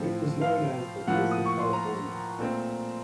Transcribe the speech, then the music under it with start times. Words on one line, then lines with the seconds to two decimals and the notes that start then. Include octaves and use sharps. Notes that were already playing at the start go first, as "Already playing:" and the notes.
It was known as the Kiss of California.
Already playing: A2 F3 C4
0.41 F5
1.07 A2 F3 A#3 F#5
1.31 D#6
1.46 C#6
1.59 C6
1.73 A#5
2.39 A#2 A3 C4